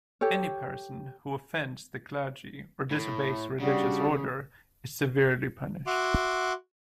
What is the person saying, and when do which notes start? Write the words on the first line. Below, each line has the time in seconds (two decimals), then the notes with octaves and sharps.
Any person who offends the clergy or disobeys religious order is severely punished.
0.21 G4 A4 C#5
2.91 A2
3.60 C#3 G3 D4 F#4
5.87 F#4 E5 F#5 C6 D6